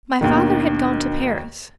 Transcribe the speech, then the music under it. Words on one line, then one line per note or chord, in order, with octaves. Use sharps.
My father had gone to Paris.
D#2 B2 D#3 D4